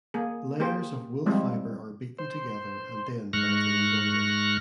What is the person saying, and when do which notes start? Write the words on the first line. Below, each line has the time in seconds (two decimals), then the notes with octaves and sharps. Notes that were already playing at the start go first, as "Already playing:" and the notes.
Layers of wool fibre are beaten together and then brightly embroidered.
0.14 A#3 G#4
0.60 A#3 G4 G#4 C5
1.26 F3 G3 G#3 C4 E4
2.19 C5
3.33 G#2 C#6 F6 F#6 A#6